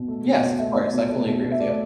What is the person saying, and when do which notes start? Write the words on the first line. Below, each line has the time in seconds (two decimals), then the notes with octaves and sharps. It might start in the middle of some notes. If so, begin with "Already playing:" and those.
Yes, of course, I fully agree with you.
Already playing: B2
0.08 A3
0.25 B2
0.42 B2
0.59 A3 E5
0.75 A3
0.93 B2
1.09 A3
1.27 B2
1.43 B2
1.52 E5
1.60 A3 D5